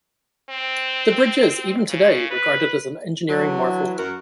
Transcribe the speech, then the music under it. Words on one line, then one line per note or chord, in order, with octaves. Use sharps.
The bridge is, even today, regarded as an engineering marvel.
C4
C#3
B4
D3 E3 F#3
F#2 F#4 A#4